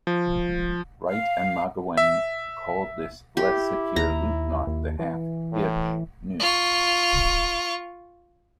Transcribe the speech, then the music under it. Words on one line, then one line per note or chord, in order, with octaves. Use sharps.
Wright and Magowan called this less secure loop knot the "half-hitch noose".
F3
F5
E5
E4 G4
D#2 A#5
D#2
E3
A2
F4 C#6